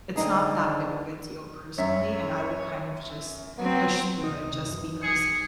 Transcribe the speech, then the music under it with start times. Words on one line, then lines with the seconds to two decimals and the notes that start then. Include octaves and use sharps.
it's not that big of a deal personally, and I would kind of just push through it just because,
0.16 D3 C4 D#4 G#4
1.78 F#2 C#5 E5 B6
3.58 F#3 B3 C4
4.24 C#2 C3 D#3 D#4
4.63 F#2 E3 F3
5.03 B1 G#4 C#7